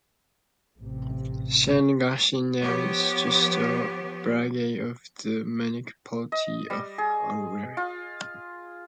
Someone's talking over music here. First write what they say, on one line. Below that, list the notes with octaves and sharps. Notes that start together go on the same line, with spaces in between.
San Agustin now is just a barangay of the Municipality of Aroroy.
A1 C3
F3 B3 G4 C#5
D#5
G3
G#4
F4